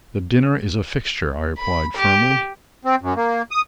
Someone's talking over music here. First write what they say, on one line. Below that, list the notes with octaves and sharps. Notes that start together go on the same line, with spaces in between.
"The dinner is a fixture," I replied firmly.
B5
G4
C4
F#2
A#3
D#6